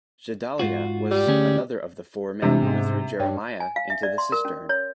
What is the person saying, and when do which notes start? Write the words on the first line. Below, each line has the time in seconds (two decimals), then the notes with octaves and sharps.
Gedaliah was another of the four men who threw Jeremiah into the cistern.
0.59 G#2 F4 F#4
1.11 G3
1.27 D2 C#4 G#4
2.42 C3 E3 G3 G#3 D4
2.62 G#2 B3
3.19 G2 C#5 G5
3.60 G#5
3.76 F5
3.90 E5
4.03 D5
4.18 C6
4.32 A#4
4.45 C#4
4.69 C#5